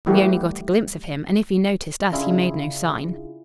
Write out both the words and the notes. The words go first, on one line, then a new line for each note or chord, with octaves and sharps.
We only got a glimpse of him, and if he noticed us he made no sign.
E3 G3 A3 F#4 G4
C#3 D4 E4 F4 G#4